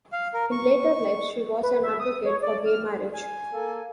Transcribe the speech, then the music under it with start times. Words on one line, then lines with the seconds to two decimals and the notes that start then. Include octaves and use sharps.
In later life, she was an advocate for gay marriage.
0.12 F5
0.34 A#4
0.52 C#6
1.63 B4
1.83 E5
2.00 D#6
2.25 C#5
2.42 D5
2.65 F6
3.12 G#5
3.53 A#3 A4